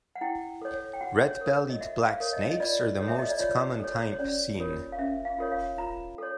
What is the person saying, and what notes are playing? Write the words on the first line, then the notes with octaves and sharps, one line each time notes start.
Red-bellied Black Snakes are the most common type seen.
F#5
E4 G5
A4 C#5
G5
F#4 F#5
C#5
A#4 C#5
D#5
F#4 E5
F5
A#4 C#5
D#5
D#5
F4 D5
A4 C#5
E5
D#5
D5
F4 C#5
A4 C#5
C#5
C#4 D5
F4 A#4 C#5
F5
C#4 E5
F5
F4 A#4 C#5
F5
F4 A#5
A4 C#5